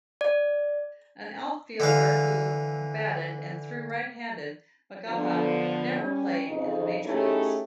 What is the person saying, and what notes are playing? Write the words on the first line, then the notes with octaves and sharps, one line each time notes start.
An outfielder who batted and threw right-handed, McGaha never played in the Major Leagues.
D5
D3 E3 F5
D3 F3 B3
G3 C#4
F2 C#3 D#4
A3 C#4 D#4 E4 G4 G#4